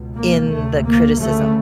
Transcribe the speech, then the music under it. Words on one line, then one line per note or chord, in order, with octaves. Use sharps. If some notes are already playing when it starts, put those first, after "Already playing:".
...in the criticism.
Already playing: C#2 B2
A#3
D2 C3 A3
A#3
D2 C#3 A3